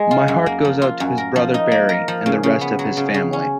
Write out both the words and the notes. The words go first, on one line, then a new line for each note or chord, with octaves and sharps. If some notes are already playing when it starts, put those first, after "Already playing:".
My heart goes out to his brother Barry and the rest of his family.
Already playing: G#3 D#4
F4
F#2
A#3
F3
F4
F#2
A#4
F3
D#4
A#3
A#4
F3
C#3
C#3
B3
F#3
C#3
C#3
C#4